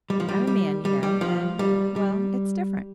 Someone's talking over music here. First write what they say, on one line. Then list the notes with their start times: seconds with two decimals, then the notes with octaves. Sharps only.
I'm a man, you know, and--well, it's different.
0.10 G3
0.20 F3
0.29 G3
0.47 G3
0.85 G3
1.03 G3
1.21 F3
1.59 G3
1.96 G3